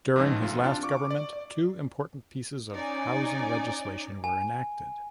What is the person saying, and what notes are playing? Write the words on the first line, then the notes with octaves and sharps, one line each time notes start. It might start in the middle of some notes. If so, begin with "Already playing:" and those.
During his last government, two important pieces of housing legislation were enacted.
A1 G#2 F3
D2 C3 F4
C4 D4 F4
C#6 D6
D5
D5
C#4 D#4 D5 G#5
G#5